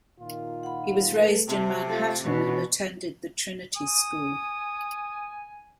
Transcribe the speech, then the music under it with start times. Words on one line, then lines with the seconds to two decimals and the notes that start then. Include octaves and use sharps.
He was raised in Manhattan and attended the Trinity School.
0.20 A#2 D#3 F4
0.63 F#5 B5
1.14 A3 A4 B4
1.48 C3 E5 A5
1.88 A3 F4 A4
2.24 B2 E3 C#4 D4 F#4 B4 C#6
3.76 G#5 D#6